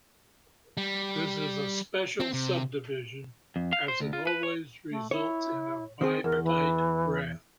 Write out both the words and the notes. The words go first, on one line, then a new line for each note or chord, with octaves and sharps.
This is a special subdivision, as it always results in a bipartite graph.
G3
C4
C3
F2
F5
C5
D2
F4
B4
C#5
A3
E4 C#5
D#3 C4 G#4
E2 A#4
E3